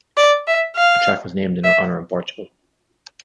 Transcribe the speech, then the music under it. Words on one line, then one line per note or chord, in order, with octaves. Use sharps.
A track was named in her honour in Portugal.
D5
E5
F5
E5